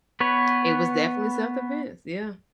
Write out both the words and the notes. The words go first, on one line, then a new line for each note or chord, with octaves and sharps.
It was definitely self-defense. Yeah.
B3 B4 C#5